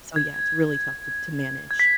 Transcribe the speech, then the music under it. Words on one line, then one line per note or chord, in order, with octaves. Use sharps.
so, yeah, it's really tough to to manage.
G#6
G#6
B6